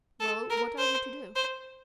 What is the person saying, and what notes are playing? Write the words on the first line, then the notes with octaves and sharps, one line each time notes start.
"Well, what are we to do?"
A4
A#4
C5
C5